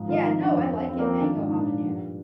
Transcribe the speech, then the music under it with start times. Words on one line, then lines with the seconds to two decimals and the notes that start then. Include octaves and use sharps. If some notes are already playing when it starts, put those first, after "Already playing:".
Yeah, no, I like it, Mango Habanero.
Already playing: G#2 F3
0.08 D#3 F4
0.24 F3 D#4
0.41 F3 D4
0.57 F2 C4
0.73 F2 C4
0.88 F3 C4
0.99 A#3
1.04 F3 C4
1.20 D#3 D4
1.36 G#2 D4
1.47 A#2 D#4
1.58 D4
1.68 F3
1.84 G2